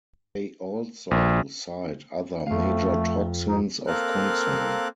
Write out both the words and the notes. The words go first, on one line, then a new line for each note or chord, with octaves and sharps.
They also cite other major toxins of concern.
A#1
F2 A3 F5
D#4
A#3 C4 A4 A#4 F5 F#6